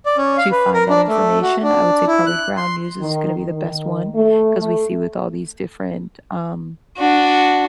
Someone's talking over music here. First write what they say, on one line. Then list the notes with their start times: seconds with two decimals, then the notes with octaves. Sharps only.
to find that information. I would say probably Ground News is gonna be the best one 'cause we see with all these different, um
0.06 D5
0.17 C#4
0.38 F5
0.52 B4
0.74 A#4
0.89 D4
1.08 A3
1.42 F#4
1.63 D4
2.07 E4
2.26 F#6
2.57 C6
3.01 D#3
3.49 D#3
4.15 A3
4.58 A3
6.98 D4 F#4